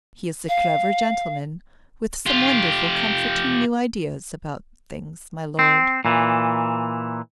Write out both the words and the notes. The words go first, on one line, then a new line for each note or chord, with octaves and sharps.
He is a clever gentleman with some wonderful comforting new ideas about things, my lord.
F5
F4 G4
C4
A#2 E3